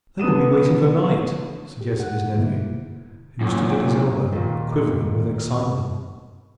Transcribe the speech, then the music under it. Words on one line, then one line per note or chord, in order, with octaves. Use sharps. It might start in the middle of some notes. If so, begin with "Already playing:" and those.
"They will be waiting for night," suggested his nephew, who stood at his elbow quivering with excitement.
D3 B3 D#6 D#7 E7
G4
F#5 F#6
G2
B2 D3 A#3 E4
F#2 A#2
D#2 A#2